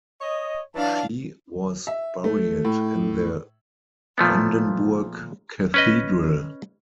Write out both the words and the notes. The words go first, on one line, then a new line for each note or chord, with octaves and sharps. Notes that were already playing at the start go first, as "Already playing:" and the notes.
She was buried in the Brandenburg Cathedral.
C#5 D#5
E3 F#3 D4 F5 A5
E5
A3
A2
A#2 F3 A3 B3
C#4 B4 D#5